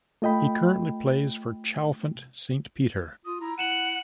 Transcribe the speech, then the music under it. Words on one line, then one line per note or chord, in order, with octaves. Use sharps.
He currently plays for Chalfont Saint Peter.
A3 F4 D#5 G5 B5
F4 D#6
E4 A#5
E4 F#5 D#7 E7 F#7
F#7